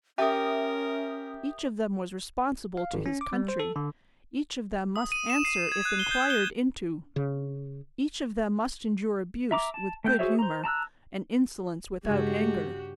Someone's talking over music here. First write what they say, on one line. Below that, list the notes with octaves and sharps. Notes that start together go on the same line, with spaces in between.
Each of them was responsible to his country, each of them must answer if inquired into, each of them must endure abuse with good humour, and insolence without anger.
C#4 G4 A#4 E5 D#6
F5
G#1
C#4
D6
G3
C5
A4
D3
D#6
D#7
E7
C7
E7
G#6
F#6
G7
G6
G7
C#3
E5 A#5 D6
A5
A3 G5 G6
F#4 G#4 C5 C#5 E5
C5 A#5
A5 A#5 E6 F#6
G2 C#3 G#3 F#4 G4 G#6